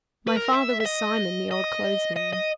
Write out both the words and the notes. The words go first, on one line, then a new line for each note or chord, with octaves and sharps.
My father was Simon the old clothes-man.
B4
A#4
E5
E5
D#5
D#5
D#5
D#5